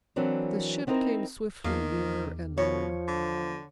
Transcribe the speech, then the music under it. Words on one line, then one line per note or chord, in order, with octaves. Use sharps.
The ship came swiftly nearer and nearer.
E3 F#3 C4 D4 A#4
B3 C4 D#4 E4 A#4 C5
E2 D#3 A#3
B2 F3 C#5
D3